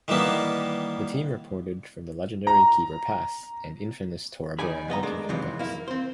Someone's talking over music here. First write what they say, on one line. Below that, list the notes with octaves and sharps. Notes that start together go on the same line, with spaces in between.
The team reported from the legendary Khyber Pass and infamous Tora Bora mountain complex.
D#3 E3 G3 A#3 B3
A#5
D#3 D#4 D5 G#5 B5
F2 B3 D#5 A#5
G#3 A3 D4 A#4 D5 D#5
F2 C3 D#3 E3 F#3
A#3 E4
C4 C5